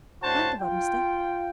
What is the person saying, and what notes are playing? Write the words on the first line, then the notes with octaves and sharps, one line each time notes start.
Mind the bottom step.
A2 D4 F#4 C5 A5
F4 G5